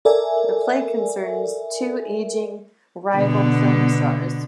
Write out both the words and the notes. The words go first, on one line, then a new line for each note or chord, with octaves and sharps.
The play concerns two aging rival film stars.
A4 A#4 D5 E5 G#5
B2 D3 B3